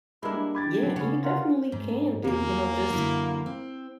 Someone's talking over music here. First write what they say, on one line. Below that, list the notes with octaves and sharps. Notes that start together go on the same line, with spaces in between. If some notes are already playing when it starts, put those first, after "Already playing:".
Yeah, and you definitely can do, you know, just
G3 G#3 A#3 D4 E4
G4 B5 G#6 A6
F#3 B3
C#3 B3 C#4 B5
F4 A#4 B4 F#5
G#2
E2 A#3 G#4
F#2 D3 E4
C4